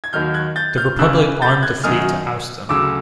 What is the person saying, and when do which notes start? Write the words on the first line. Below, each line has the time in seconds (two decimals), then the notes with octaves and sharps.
The Republic armed a fleet to oust them.
0.04 G#6
0.13 D#2 D#3 F#3 F6 G6
0.34 F#6 G#6
0.56 G6 A6
0.77 F6 G6
0.99 C#2 C#3 E3 E6 F#6
1.42 G6 A6
1.63 F#6 G#6
1.84 F#2 D#3 F#3 D#6 F6
2.69 D2 C#3 F#3 D6 E6